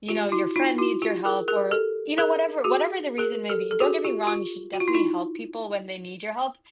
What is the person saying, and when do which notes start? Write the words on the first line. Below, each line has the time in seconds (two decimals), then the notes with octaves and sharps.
you know, your friend needs your help or you know, whatever whatever the reason may be, don't get me wrong, you should definitely help people when they need your help,
0.09 F4 G4
0.32 E4 F#4
0.56 D#4 F4
0.78 E4 F#4
1.02 F4 G4
1.25 G#4 A#4
1.48 G#4 A#4
1.71 G4 A4
2.18 G#4 A#4
2.64 F#4 G#4
3.18 G#4 A#4
3.50 G4 A4
3.71 A4
3.80 F#4 G#4
4.05 F4 G4
4.27 F4 G4
4.74 F#4
4.80 F4
4.88 E4
4.94 D#4 F4